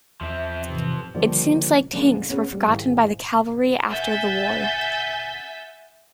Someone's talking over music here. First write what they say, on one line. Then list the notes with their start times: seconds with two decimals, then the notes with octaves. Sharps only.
It seems like tanks were forgotten by the Cavalry after the war.
0.21 E2 F3 C4 E5
0.67 G#2 C3 E3
1.14 D3 D#3 F3 G3 A#3
1.93 C#3 F3 A#3 C#4 D4
2.14 D3 G#3 D#4
2.29 B3 C#4 G#4 A#4 B4
2.52 G3
2.66 G#2 D#3 E4 F5
3.89 E5 F#5 G#5 G6 A6 B6